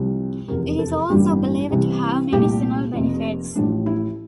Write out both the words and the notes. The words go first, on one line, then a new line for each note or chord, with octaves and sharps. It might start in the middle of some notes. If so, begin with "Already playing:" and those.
It is also believed to have medicinal benefits.
Already playing: C2 C3 F3
F1 E2 C3 A#4
A4
A1 G2 D3 G3 A#3 G4
C2 C3 E3
C2 A#2 A3 G4
F1 F2 C3 F3 A#3
A1 A2 F3 A3 D4
E4